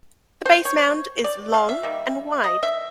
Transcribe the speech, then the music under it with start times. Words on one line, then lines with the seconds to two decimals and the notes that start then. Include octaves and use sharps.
The base mound is long and wide.
0.45 C5
0.65 C#5
1.24 D5
1.54 F5
1.69 E5
1.83 D#3 G3 A#3
2.44 D#5
2.63 E5